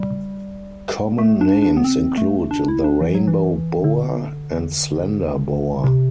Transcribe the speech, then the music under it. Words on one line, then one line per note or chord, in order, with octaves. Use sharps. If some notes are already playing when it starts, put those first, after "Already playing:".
Common names include the rainbow boa, and slender boa.
Already playing: G3
A3
D4
D4
B3
C4
A3
D4
E4
D4
E3
F#3
E3
D3
C3